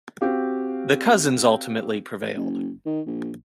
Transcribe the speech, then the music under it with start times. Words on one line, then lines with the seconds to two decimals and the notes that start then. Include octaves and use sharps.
The cousins ultimately prevailed.
0.21 C4 F#4 G4 F5
2.36 F#1
2.86 D#3
3.06 A#1